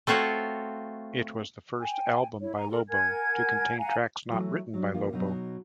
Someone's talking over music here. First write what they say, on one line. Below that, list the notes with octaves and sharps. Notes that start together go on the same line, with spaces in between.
It was the first album by Lobo to contain tracks not written by Lobo.
A3 C4 F4 F#4 C#5
G5 G#5
E4 C#5
G#5 A#5
A4 A#4
A#4 F#5 G#5 G#6
F5 F#5 G#5 A#5
E3 F#3 A3
F#3 D4
D#3 F3 A#3 F4
B2 F#3 D#4